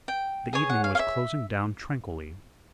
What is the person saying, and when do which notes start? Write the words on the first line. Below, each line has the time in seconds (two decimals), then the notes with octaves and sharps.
The evening was closing down tranquilly.
0.08 G5
0.53 G#4 C#5 G#5
0.69 F#5
0.84 F5
0.95 F5
0.99 E5